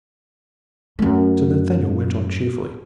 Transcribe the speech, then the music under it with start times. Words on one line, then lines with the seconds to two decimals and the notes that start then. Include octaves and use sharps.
Sir Nathaniel went on cheerfully.
0.99 F#2 A3